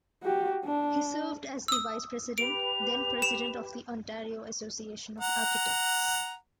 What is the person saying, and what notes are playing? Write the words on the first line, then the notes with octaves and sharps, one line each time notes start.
He served as the Vice-President, then President of the Ontario Association of Architects.
F#4 G4
D4
D#6 E6
G4 B4 D7 F7
E7
F#5 A#5